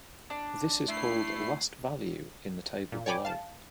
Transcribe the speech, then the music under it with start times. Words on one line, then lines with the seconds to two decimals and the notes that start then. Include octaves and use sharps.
This is called "last value" in the table below.
0.30 D4
0.87 A3 E4 C7
2.92 A#2
3.06 C#5 D5 G5 G#5 B5 D6
3.25 F5 A5